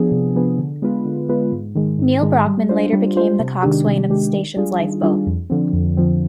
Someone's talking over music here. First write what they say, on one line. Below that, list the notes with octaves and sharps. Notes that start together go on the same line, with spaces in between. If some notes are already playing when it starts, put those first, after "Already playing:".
Neil Brockman later became the coxswain of the station's lifeboat.
Already playing: F3 B3 D4 G#4
C3
F3 B3 D4 G#4
D3
G#3 B3 F4 B4
D3
G#3 B3 F4 B4
G#2
D#3 G#3
G#2
D#3 G#3
G3
D4 F4 C5
G3
D4 F4 C5
C3
D#3 G#3 D4 G4
C3
D#3 G#3 D4 G4
D#3
G3 D4 F4 G#4
D#3
G3 D4 F4 G#4
F2
D3 F3 C4
F2
D3 F3 C4